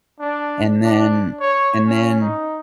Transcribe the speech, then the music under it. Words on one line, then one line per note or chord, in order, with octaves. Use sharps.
and then and then
D4
D4
C#5
C#4
D#4